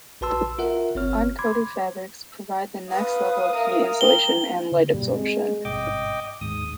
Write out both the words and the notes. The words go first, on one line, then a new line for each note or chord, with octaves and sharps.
Uncoated fabrics provide the next level of heat insulation and light absorption.
A#1 F#4 B4 A5 C6 E6
F4 A#4 E5 F#5
G1 C4 C#5 F6
B5 C6 D6 G#6
B4 F5 D#6
A#4 E5
G5 G7
D3
G2 B2 G3 A#3
G#3 C4
G#1 G2 B2 D#5 G5 D6
D#2 G#2 D#6